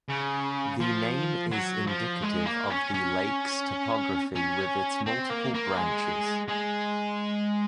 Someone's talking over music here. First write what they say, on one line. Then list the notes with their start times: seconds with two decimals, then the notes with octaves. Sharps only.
The name is indicative of the lake's topography with its multiple branches.
0.09 C#3
0.80 F3
1.52 F#3
1.87 F3
2.23 G#3
2.46 A#3
2.70 C#4
2.94 C#4
4.35 C#4
5.06 C4
5.30 A#3
5.55 A#3
5.77 G#3
6.48 G#3